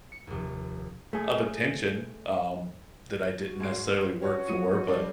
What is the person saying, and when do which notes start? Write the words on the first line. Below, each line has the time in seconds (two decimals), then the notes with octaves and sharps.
of attention, um, that I didn't necessarily work for, but
0.12 C#7
0.27 F1 D#2
1.13 A3 G#4
3.40 F#4
3.60 G#2 G#4 D7
4.05 B4
4.22 C#4 F#4 C#5
4.48 F3 F#3 B3 D#6 C#7 D#7
4.88 G3 C4 D4